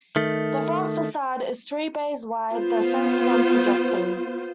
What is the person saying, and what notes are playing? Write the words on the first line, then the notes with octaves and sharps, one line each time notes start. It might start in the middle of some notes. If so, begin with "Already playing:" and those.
The front facade is three bays wide, the center one projecting.
D#3 A3
B3 F4 C5